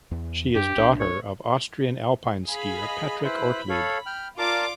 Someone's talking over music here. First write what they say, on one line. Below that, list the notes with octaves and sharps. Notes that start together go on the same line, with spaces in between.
She is daughter of Austrian alpine skier Patrick Ortlieb.
E2
F#2 D4 G4
B1 D4
C#5
G#4 F5 B5
D#5
E4 B4 C5 B5
A4 C#5 F5
G5 F6
F4 A#4 D5 F5 A5 D6